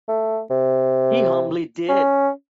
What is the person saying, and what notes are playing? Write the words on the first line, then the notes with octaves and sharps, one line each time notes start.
He humbly did.
A3
C3
C#4